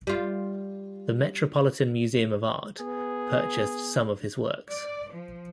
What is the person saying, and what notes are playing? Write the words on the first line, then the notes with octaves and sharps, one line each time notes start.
The Metropolitan Museum of Art purchased some of his works.
G3 F4
B3 G#4
D5
F3